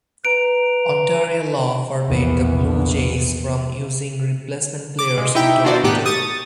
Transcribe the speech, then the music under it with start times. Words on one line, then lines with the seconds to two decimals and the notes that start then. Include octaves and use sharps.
Ontario law forbade the Blue Jays from using replacement players in Toronto.
0.25 B4 A#5 D7
2.08 A#1 E2
4.99 D6
5.17 A#2 G#3
5.35 D#4 E4 G4 E5 G5
5.64 D#3 D4 F4 F#4 C5 D5
5.84 A2 D#3 B3 G4 A4 F#6
6.05 C#6 D#6 A6